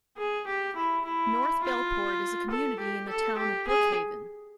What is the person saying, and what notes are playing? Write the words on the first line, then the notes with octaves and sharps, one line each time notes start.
North Bellport is a community in the Town of Brookhaven.
G#4
G4
E4
E4
F4
A4
G4
A4
G4
G#4